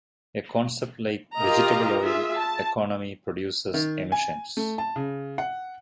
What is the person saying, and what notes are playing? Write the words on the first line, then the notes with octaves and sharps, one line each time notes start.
A concept like vegetable oil economy produces emissions.
F4 G4 A#4 D#5 F5 A#5
F4 G#4 E5
A5
D#3
G#5
A3
A5
C#3
F#5